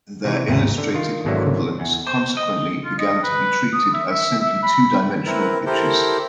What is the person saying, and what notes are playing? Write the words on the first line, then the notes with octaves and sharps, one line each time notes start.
Their illustrated equivalents consequently began to be treated as simply two-dimensional pictures.
C3 E3
G#1 D#2 G#2 E4
D3
D#3 F4
G#1 B2 D3 F#3 A#3 E4
E2
C5
D#5
F4
D#5
B4
D#6
E5
E5
E5
B5
C4 E4 A#4 B4
E4 G4 A4 A#4 C5